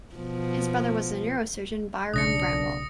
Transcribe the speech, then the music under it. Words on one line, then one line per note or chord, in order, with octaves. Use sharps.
His brother was the neurosurgeon Byrom Bramwell.
B2 F3
B1 C#3 D4 D#6 A#6 C#7